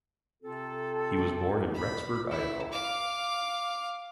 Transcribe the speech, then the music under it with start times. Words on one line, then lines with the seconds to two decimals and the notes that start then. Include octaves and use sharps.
He was born in Rexburg, Idaho.
0.43 C3 C4 F4 A4
1.74 B5
2.30 E4
2.72 F5 D6